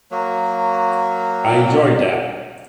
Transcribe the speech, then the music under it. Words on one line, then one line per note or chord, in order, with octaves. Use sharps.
I enjoyed that.
F#3 A#3